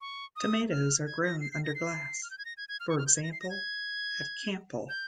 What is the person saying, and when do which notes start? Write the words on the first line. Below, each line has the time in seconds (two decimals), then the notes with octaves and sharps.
Tomatoes are grown under glass, for example at Campile.
0.01 C#6
0.36 D#6
0.71 F6
1.06 G#6
1.24 A#6
1.41 C7
1.52 C7
1.64 A#6
1.75 C7
2.23 F6
2.31 G6
2.38 G#6
2.45 A#6
2.57 G#6
2.69 G#6
2.80 F6
2.89 C#6
2.98 F6
3.07 G6
3.16 G#6
3.23 A#6
3.33 C7
3.41 A#6
3.50 G#6
4.89 G6